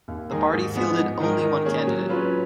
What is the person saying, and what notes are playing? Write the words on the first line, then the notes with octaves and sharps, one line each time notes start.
The party fielded only one candidate.
D#2
D#3 G#3 D#4 G#4
G#2
F3 G#3 B3
G#2
D#3 G#3 D#4 A#4
D#3
A#3 C#4 G#4
F#3
C#4 F4 B4